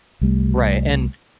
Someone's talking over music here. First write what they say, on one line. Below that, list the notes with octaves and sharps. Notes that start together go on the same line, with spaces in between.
Right, and,
C2 G3 A3